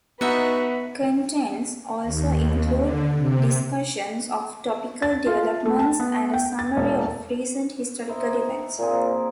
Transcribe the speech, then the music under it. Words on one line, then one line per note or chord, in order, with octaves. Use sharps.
Contents also include discussions of topical developments and a summary of recent historical events.
B3 D#4 F#4 B4 E5 F#5
D#2
D3
C3
A6
F4
A3
A5
B3
G5
A6
E1
D#4 E4 C5
A#2 A#3 C4 G#4
A#4